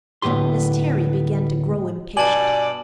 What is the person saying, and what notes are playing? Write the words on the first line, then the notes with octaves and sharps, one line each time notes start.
Miss Terry began to grow impatient.
D2 A2 D#3 B3 G4 C6
G2 B2 D5 G#5 A5 F#7